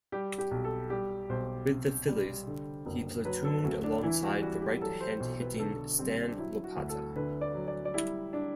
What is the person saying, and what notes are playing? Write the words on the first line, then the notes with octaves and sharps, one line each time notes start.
With the Phillies, he platooned alongside the right-hand hitting Stan Lopata.
G3 G4
G4
B1
A4
G3 G4
B1 C5
C3
G3
D3
F#1
F#3 B4
A4
D2 F#4
D4
E3 E4
F#4
G3 F#4
G4
F#3 A4
C5
B1 C5
B4
D3 A4
G3 C4
D4
F#3 E4
F#4
D2
A4
D3 B4
D5
F#3
D5
D5
G3 E4
D4